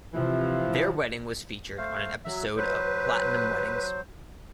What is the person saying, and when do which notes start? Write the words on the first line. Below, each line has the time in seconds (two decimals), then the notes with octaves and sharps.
Their wedding was featured on an episode of "Platinum Weddings".
0.14 C3 E3 F3
1.77 A3 C5 F5
2.25 F#3 E5
2.57 F#3 B4 C5